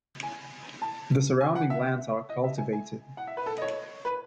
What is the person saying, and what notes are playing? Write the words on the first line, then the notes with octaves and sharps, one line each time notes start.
The surrounding lands are cultivated.
G#5
A5
G#5
F#5
E5
D#5
E5
G#5
G#5
F#5
E5
B4
A4
D#5
C#5
B4